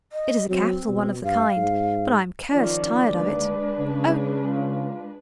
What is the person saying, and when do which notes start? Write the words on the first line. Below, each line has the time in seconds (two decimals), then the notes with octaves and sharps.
It is a capital one of the kind, but I am cursed tired of it.' 'Oh!
0.12 D#5
0.49 F#3 C4
0.88 B2
1.24 G2 F5
1.57 G#2
2.53 D#3 F3 C#4 D5
3.09 D2 D#3 G#3 A#3 D4 B4
3.79 C#3
4.47 F4